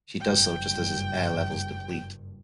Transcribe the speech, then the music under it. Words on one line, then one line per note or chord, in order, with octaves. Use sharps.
She does so just as his air levels deplete.
F#1 G2 G5